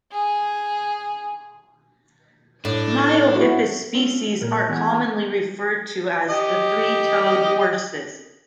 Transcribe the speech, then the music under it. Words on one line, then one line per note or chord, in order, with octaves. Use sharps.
"Miohippus" species are commonly referred to as the three-toed horses.
G#4
A2 D4
E4 F#4
C4 C#4 F4
A#2 G#3 A#4
E3 B3 G#4 G#5 G#6
G4 D#5